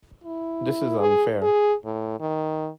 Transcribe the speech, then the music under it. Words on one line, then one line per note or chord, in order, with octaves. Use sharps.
This is unfair.
E4
G#4
G#4
A2
D#3